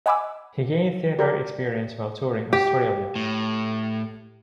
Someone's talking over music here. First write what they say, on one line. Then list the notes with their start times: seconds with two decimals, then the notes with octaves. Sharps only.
He gained theatre experience while touring Australia.
0.06 D#5 F#5 G#5 B5 D6 E6
1.19 G4 A#4 D5
2.53 G4
3.15 A2